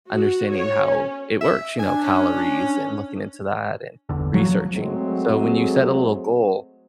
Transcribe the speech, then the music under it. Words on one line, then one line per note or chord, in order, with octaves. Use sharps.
understanding how it works, you know, calories and looking into that and researching. So, when you set a little goal,
F#4
C#5
C#4
E5
D4 G#5
C#4
G1 E2 D3
F3 F#3
F#3 G#3 A3 C4